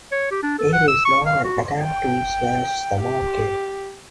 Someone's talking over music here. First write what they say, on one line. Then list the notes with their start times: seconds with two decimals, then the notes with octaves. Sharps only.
It is not an attempt to smash the market.
0.12 C#5
0.31 G4
0.43 D4
0.59 A4
0.73 F#5
0.88 E6
1.05 C#6
1.26 F5
1.44 F#4
1.83 G5
3.02 G4